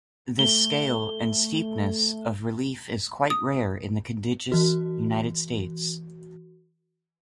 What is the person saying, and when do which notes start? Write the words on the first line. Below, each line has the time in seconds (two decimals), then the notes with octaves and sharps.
This scale and steepness of relief is quite rare in the contiguous United States.
0.39 A3 G7
3.30 D#6
4.52 E3 F#4